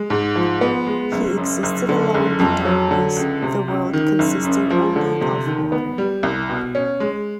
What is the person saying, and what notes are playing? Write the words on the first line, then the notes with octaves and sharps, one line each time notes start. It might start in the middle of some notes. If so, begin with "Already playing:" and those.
He existed alone in darkness, the world consisting only of water.
Already playing: G#3
G#2
F3
B3
G#3
F#1
F#2
F#1
D3
F#1
F2
F#3
D3
C#2
C3
C#2
D#3
F#1
F#2
F3
D3
C3
D#3
B3
G3
C2
B2
C#4
G#3